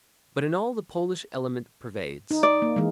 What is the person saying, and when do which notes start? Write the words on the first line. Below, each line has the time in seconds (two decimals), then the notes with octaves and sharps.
But in all the Polish element pervades.
2.31 D#4
2.43 D5
2.62 A#3
2.76 E3 G#3